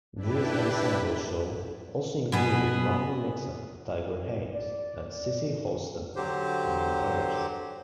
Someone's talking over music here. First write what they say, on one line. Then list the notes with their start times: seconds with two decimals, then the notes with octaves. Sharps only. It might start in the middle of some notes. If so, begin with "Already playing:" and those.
This ensemble show also included Marni Nixon, Tiger Haynes, and Cissy Houston among others.
0.16 D4 E4 G4 B4
2.32 B2 B3 G#4
4.51 D5
6.16 D3 F#3 G4 C5